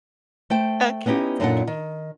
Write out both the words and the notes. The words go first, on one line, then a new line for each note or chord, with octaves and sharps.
Okay, take care.
A3 C5 G5
B3 C#4 D#4 E4 G4
F#2 A#2 D4 D#4 A4 F#5
D#3